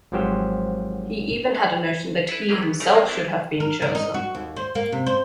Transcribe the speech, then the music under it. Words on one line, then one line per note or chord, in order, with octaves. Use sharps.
He even had a notion that he himself should have been chosen.
G#1 G#2 F3 F#3 G4 C5
E4 A4 B4
C3 E3 F#3 A#3 G4 G#4
B3
A1 C#3 A3 D#4 D5 A#5
C#2 F#2 F3 G#3 A#3 C4
C4 D4 E4
A#4
A#4
D#4
F#4
D#2
C5
A#3
C3
C5